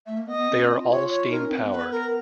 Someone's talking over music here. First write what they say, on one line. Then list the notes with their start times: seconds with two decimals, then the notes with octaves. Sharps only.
They are all steam powered.
0.06 A3 E5
0.17 A#3
0.27 B3 D#5
0.37 B3
0.48 C4
0.59 C#4
0.68 C4
0.79 F4
0.89 C#5
1.09 C#5
1.30 D#4 A#4
1.41 C#4
1.50 C4 B4
1.61 B3
1.70 B4
1.91 A#4